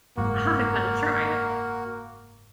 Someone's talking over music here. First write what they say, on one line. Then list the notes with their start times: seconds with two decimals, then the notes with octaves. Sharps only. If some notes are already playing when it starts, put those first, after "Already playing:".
I gotta try it.
0.17 F#1 G#2 A#3 F#4